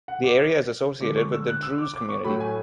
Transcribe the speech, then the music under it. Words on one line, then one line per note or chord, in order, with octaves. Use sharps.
The area is associated with the Druze community.
F#5
D6
D3 G#3 D6
C#6
E6
F#6
E6
D6
D6
C#6
A2 F#3 A3 B5
G#5